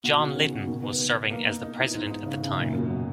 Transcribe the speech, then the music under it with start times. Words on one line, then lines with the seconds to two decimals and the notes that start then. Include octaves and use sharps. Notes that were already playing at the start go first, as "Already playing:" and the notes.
John Litten was serving as the president at the time.
0.04 B2 F#4
0.20 D#3
0.35 C#3 C#4
0.52 F#4
0.67 B2 D#3
0.83 B3
0.99 B3
1.15 B3
1.31 A#3
1.47 D#4
1.62 D#4
1.79 E3
1.94 G#2 D#4
2.10 D#4
2.26 C#3
2.42 C#3
2.57 F#2 A#2
2.73 F#2
2.79 B2
2.90 F#3